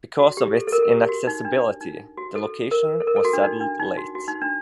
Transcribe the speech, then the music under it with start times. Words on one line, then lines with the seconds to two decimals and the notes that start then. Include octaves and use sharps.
Because of its inaccessibility, the location was settled late.
0.19 F#4
0.37 G4
0.55 A4
0.67 A4
0.72 A#4
0.82 A4
0.91 G4
1.09 F#4
1.27 D#4
1.45 D4
1.81 D#4
2.17 F#4
2.36 A4
2.71 A#4
3.00 A4
3.07 A#4
3.16 A4
3.25 F#4
3.33 D4
3.43 D#4
3.61 D4
3.80 D#4
3.97 F#4
4.15 F#4
4.28 D#4
4.42 D4